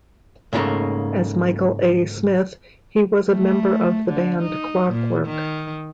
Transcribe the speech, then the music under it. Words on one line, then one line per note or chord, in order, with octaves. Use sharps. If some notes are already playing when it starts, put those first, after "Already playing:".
As Michael A. Smith, he was a member of the band Clockwork.
G#2 C#3 F#3 G3 A3 A#3
A3
D3
D#4
A#2
D#3